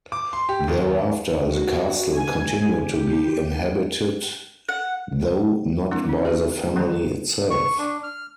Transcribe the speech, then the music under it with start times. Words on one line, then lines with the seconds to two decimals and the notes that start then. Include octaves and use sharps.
Thereafter the Castle continued to be inhabited, though not by the family itself.
0.12 D6
0.33 C6
0.49 G4
0.68 D#2
1.51 F#4
2.17 G#5
2.73 G4
4.69 F#5
5.91 F3 G#3 C4 D4 E4
6.05 C#4 E4
6.25 F#4 G4 B4 E5
6.52 G#4
6.76 D#3 E3 G3 A#3 C4
7.50 C#6
7.78 D4
8.03 F6